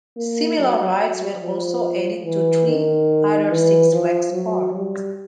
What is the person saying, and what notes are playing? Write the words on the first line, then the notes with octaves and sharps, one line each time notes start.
Similar rides were also added to three other Six Flags parks.
A#3
F#3
F3
E3
D#3
E3
F3
F#3
G3